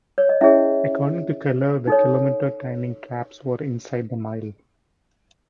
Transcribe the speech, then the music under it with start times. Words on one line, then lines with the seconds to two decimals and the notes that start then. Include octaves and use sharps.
According to Keller the kilometer timing traps were inside the mile.
0.18 C#5
0.29 D#5
0.41 C#4 E4 G#4 C#5 E5
1.87 D#4 A4 C#5